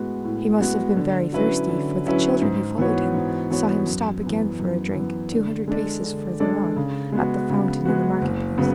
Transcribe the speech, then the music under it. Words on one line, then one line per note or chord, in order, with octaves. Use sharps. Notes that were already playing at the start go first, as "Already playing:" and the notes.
He must have been very thirsty: for the children who followed him saw him stop again for a drink, two hundred paces further on, at the fountain in the market-place.
Already playing: A2 G#3 B3 F#4
A2
G#3 B3 F#4
D3
F#3 C#4 E4 B4
D3
F#3 C#4 E4 B4
G#2
E3 B3 F#4 C#5
G#2
E3 B3 F#4 C#5
F#2
E3 B3
F#2
E3 B3
D3
G#3 D4 A4 D5
D3
G#3 D4 A4 D5
C#3
G#3 B3 F#4
C#3
G#3 B3 F#4
F#1
C#3 F#3 B3